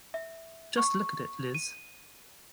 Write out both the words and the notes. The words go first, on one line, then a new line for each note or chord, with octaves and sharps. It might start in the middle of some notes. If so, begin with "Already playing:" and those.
Just look at it, Liz.
E5
C#6
D#7